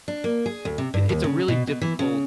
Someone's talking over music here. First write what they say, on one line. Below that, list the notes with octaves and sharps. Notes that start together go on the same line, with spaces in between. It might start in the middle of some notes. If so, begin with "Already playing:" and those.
it it's a really difficult
D4
A#3
G#4
D2
C3
G2
D#2
C#3
B2
B2
E3
C#3